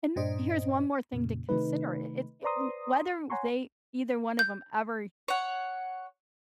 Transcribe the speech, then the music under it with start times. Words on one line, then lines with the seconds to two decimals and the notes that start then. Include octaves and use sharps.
And, here's one more thing to consider. I it's it whether they either one of 'em ever
0.16 G2 A#2 D4 C5 D#5
1.13 F2 A#2 C#3
1.49 C3 D#3 A3 D#4 B4
2.43 B4 C5 D5 A#5 C6 D#6
3.30 C#5 F#5 G#5 A#5 C6 C#6
4.39 G6
5.28 C#5 F#5